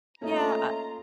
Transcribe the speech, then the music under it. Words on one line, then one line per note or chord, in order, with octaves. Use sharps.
Yeah I
A3 A#3 C#4 D#4 F4 A4 C#5 A#5